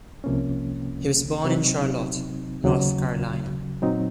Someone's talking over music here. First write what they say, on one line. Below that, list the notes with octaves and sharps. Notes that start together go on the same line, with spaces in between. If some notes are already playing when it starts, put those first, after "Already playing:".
He was born in Charlotte, North Carolina.
C2 C3 F3 A#3 C#4
C3 F#3 C4 D#4
D#2 C#3 F#3
A#2 F#3 C4 D#4